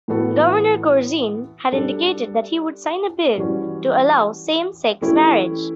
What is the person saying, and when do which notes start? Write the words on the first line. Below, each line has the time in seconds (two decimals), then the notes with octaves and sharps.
Governor Corzine had indicated that he would sign a bill to allow same-sex marriage.
0.08 A2 E3 B3 F#4 A4
1.72 G3 D4 A4
3.38 E3 G3 C#4 F#4
5.01 E3 A3 C#4 E4 G4